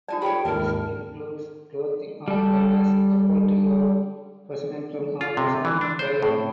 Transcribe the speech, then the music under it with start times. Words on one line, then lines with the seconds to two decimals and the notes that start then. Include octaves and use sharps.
This includes clothing or banners supportive of President Trump or President Biden.
0.08 D#4 F4 D5 G#5 A5
0.22 G4 A4 C#5 G5 B5
0.45 D#2 G#2 A#4 A5
2.28 G3 A4
5.21 F4
5.37 C3
5.65 E3
5.81 D4
5.99 C5
6.22 A2